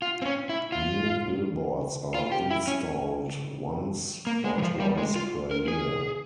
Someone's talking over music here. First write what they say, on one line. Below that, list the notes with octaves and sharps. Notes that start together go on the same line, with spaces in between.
New Billboards are installed once or twice per year.
F4
C4
C#4
E4
F4
F4
G4
E4
C#4
A#3
G#3
E3
F3
G3
G#3
F4
A#4
G#4